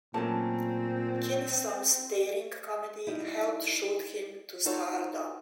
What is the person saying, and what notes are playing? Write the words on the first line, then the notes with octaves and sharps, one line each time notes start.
Kinison's daring comedy helped shoot him to stardom.
A#2 F#3 A3 A#3 C4 C#4 A5
G3 D#4 E4
D#4 F4 F#4 A4 C#5